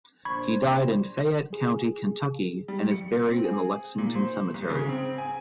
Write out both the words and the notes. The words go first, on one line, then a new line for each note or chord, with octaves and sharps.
He died in Fayette County, Kentucky and is buried in the Lexington Cemetery.
A#1 D4 C5 B5 C#6 G#6
G#4
G3
C#7
C4
G#4
A#2
C5
C2
C#3
C4
G#5